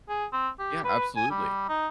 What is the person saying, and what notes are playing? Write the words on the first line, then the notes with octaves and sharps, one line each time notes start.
Yeah, absolutely.
G#4
C4
G4
B4
G#5
G3
D#4